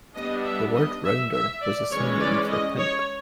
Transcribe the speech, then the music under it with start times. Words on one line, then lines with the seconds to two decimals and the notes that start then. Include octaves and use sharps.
The word "rounder" was a synonym for "pimp".
0.16 G3 B3 D4 D#5
0.45 E5
0.74 D#5
1.04 E5
1.33 E5
1.61 D5
1.91 E3 G#3 C#4 C#5
2.20 D5
2.50 D#5
2.78 C#5